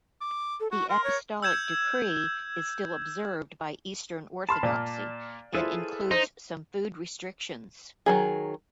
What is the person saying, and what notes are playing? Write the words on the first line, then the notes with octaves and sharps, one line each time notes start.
The Apostolic Decree is still observed by Eastern Orthodoxy and includes some food restrictions.
D6
A4
F#4 C#6
A#4 C6
C#5
E6 G6 G#6 E7
A5 B5 C6 F6
A#2 D5
E4 F4 G#4 A4 B4 C5
D#4 C5
D#3 F#3 G#4